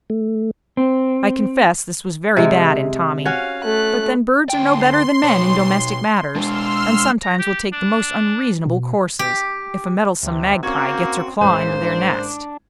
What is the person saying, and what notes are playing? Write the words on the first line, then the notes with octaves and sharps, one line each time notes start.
I confess this was very bad in Tommy; but then birds are no better than men in domestic matters, and sometimes will take the most unreasonable courses, if a meddlesome Magpie gets her claw into their nest.
A3
C4
C3 G#3
C#4 F#4 C#5 F5
A3 F#6
D2 G5 C6
B2 C#5
G#3 D4 C6 E6 F6
A#5
G4
D4
B2
G4
D2 C3
A#3 C4 C#4 F#4 C#6 G#6
A1 E3 G#3 A#3 C5
D4